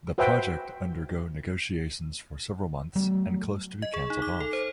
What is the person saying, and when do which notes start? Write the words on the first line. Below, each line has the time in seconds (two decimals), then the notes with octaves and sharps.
The project undergo negotiations for several months and close to be cancelled off.
0.18 F#4 B4 C5 E5 G5
2.95 F#3 A3 B3
3.82 D#5
3.94 G#4
4.10 D#4
4.22 D6
4.40 A4
4.53 C5